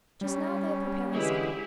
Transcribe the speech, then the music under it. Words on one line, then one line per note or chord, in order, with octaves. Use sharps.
Just now they are preparing supper.'
G3 C#4
D3 E3 G#3 E4 G4 G#4